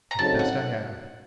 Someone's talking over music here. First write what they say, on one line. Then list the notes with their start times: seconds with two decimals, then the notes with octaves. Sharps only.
"The best I have."
0.11 A#5
0.19 C#3 F#3 C4 D#4 A4 A5
0.39 F#5